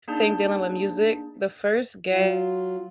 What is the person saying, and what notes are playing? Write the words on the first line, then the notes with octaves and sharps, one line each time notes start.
Think dealing with music. The first gadget
A#3 D4 D#4 G#4 A5 G6
F#3 F4